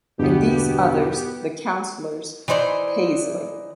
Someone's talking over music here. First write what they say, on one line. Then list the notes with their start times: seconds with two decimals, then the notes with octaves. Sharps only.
And these others — the Councillors, Paisley.
0.19 E2 G2 B2 D3 B3 G4
2.48 E3 D#4 C5 D5